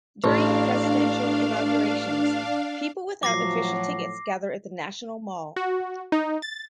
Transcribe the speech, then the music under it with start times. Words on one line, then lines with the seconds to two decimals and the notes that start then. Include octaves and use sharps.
During presidential inaugurations, people without official tickets gather at the National Mall.
0.24 A1 D4 F5
3.23 A2 F3 F#3 D6 A#6 C7
5.56 F#4
6.12 D#4
6.42 A6